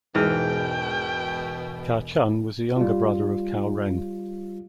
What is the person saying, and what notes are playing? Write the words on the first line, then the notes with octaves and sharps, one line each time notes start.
Cao Chun was a younger brother of Cao Ren.
E1 G#2 B2 E3 G5 F6
G3 F4